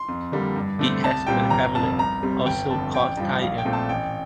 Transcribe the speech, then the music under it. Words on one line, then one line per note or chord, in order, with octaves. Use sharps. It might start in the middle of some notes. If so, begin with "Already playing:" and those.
It has a hamlet, also called Tyre.
Already playing: C6
F2
D3 G3 A#3
G2
D3 A3 C4
C2 A5
A#2 G3 C4 G5
G1 A#5
F2 C3 A5
C2 A#5
C3 G3 C4
G1 G5
F2 D3 A5
A1 G5
G2 F3
A#1 F5
G5
A#2 A3 C4
A5
A1 G5